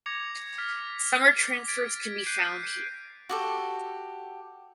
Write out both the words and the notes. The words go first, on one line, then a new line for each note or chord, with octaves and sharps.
Summer transfers can be found here.
D6 G#6 A#6 C#7 F7
F6 A6 B6 C#7
G#6 A6 B6 D7
F#6 G6 C7 D7 D#7
F#4 G4 A4